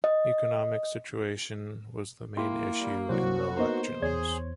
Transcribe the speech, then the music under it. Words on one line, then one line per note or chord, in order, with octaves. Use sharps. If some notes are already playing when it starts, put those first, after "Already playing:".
Economic situation was the main issue in the elections.
D#5
A#3 E4 G5 C6
G3
C2 F#3 F#4 C5
A#3 B3 D#4 C5 D#5 A#5
E2 G#4 C#5 G#6